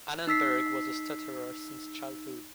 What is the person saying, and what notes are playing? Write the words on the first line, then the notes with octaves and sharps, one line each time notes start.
Annenberg was a stutterer since childhood.
D#4 E6 B6 C7